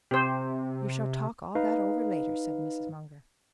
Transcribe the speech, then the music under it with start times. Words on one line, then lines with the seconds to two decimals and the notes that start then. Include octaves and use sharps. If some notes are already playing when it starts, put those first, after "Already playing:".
"You shall talk all that over later," said Mrs. Munger.
0.11 C3 G4 C5
1.55 D#4 B4 F5